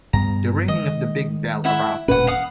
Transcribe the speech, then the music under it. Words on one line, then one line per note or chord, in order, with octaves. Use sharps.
The ringing of the big bell aroused him.
G2 G3 B3 A#5
D#3 G#3 D#5
E4 E5 F#5
E1 A#2 C#4 B4 F#5
F5 F#5 D#6